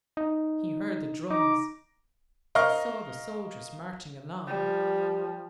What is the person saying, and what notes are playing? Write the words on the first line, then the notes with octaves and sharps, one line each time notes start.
He heard the drums, he saw the soldiers marching along.
D#4
D#4 A#5 D6
A#4 D#5 F5 C#6 F6
F3 G3